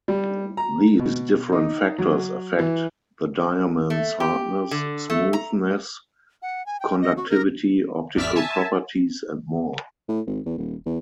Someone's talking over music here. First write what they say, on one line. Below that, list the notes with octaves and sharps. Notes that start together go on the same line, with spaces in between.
These different factors affect the diamond's hardness, smoothness, conductivity, optical properties and more.
G3
A#5
B2
D#4
F#3
E3
A3
G4
D3
A3
A#5
F#5
G#5
G5
D#5
F#4
A#4
G#1 E2 D5 E5 F6 B6
E5 G#5 A5
A2
G#1
E2
D#1
E2